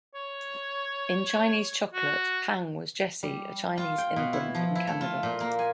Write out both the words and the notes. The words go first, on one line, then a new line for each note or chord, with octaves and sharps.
In "Chinese Chocolate", Pang was Jesse, a Chinese immigrant in Canada.
C#5
F#4
G3
F4
G5
B2
E4
F3
E4
A3
F4
A#2
A#3
G#5